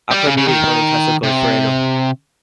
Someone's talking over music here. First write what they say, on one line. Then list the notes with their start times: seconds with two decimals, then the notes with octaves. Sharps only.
Acerbi was born in Castel Goffredo.
0.11 G3
0.27 C#3
0.37 C#3
0.48 D#3
1.23 C3